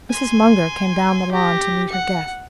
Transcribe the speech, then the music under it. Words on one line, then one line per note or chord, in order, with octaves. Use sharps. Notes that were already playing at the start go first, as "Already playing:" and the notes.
Mrs. Munger came down the lawn to meet her guests.
G#5 C6
G4 A#6
F#5 C#7